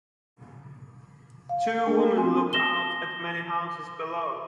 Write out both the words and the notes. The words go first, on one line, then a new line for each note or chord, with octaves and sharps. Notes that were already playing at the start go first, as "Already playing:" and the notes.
Two women look out at many houses below.
F5
A3 A#3 D4 A4 A#4 G5
B3 C4 F#4 G#5 C6
A#6 E7 G7